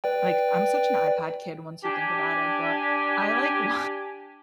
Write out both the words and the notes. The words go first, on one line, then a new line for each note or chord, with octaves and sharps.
like, I'm such an iPad kid once you think about it, but I like wa
B4 D5 G5
D4 G4 G#5